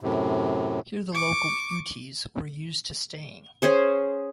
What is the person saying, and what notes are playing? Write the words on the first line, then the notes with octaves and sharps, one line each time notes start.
Here the local Utes were used to staying.
F#2 A2 C3
C#6 D6
C#4 G#4 C5